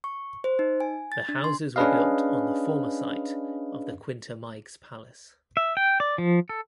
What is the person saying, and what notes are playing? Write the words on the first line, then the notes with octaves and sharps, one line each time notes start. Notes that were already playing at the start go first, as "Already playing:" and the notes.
The houses were built on the former site of the Quinta Meiggs Palace.
C#6
C5
D#4
G#5
A6
D4
C6
C#4 D4 G#4 B4 D#5 F5
E5
G5
D5
F3
A4